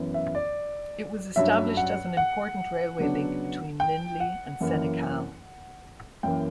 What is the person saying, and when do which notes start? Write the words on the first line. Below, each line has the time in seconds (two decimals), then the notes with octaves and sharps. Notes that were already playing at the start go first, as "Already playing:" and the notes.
It was established as an important railway link between Lindley and Senekal.
Already playing: F#2 E3 B3
0.14 E5
0.35 D5
1.36 G2 F#3 C#4 E5
1.77 F#5
2.17 F#5
2.99 C#3 F#3 B3 D4
3.80 G5
4.20 F#5
4.61 F#2 E3 A#3
6.23 F#2 E3 A#3 G5